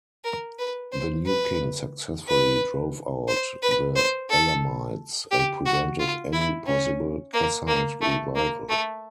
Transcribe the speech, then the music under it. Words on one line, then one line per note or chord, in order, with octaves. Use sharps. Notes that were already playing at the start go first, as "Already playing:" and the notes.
The new king successfully drove out the Elamites and prevented any possible Kassite revival.
A#4
B4
C5
B4
B4
C5
B4
C5
A4
G4
F#4
F4
E4
C#4
A#3
A#3
A3
A#3
A3